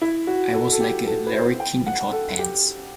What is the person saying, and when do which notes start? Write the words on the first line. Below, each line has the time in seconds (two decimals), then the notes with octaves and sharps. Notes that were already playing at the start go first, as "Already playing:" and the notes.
I was like a Larry King in short pants.
0.01 E4
0.27 F#4
0.54 A4
0.72 A4
0.80 G4
1.07 A4
1.26 B4
1.33 C5
1.60 G5
1.86 F#5
2.12 A4
2.39 G4